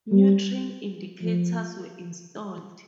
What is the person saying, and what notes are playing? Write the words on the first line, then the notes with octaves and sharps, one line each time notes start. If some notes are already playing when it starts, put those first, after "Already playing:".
New train indicators were installed.
G3
F3